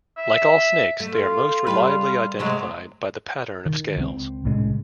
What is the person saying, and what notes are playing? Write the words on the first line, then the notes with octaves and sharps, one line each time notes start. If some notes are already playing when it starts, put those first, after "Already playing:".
Like all snakes, they are most reliably identified by the pattern of scales.
E5
A3
F4
G3 G4 B4
C3 F#3 G#3 A3
D#3
C#2 F3 C4
C2 A2 C#3 G#3